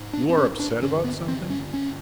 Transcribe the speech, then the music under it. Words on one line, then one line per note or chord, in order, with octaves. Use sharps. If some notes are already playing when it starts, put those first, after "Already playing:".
"You are upset about something?"
Already playing: G#2
D4
C4
C#4
D4
G2 D3 C#4
B3
C4
C#4
C#4